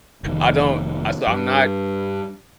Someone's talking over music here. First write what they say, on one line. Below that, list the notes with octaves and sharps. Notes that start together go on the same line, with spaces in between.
I don't, I so, I'm not
F1 D#3
G2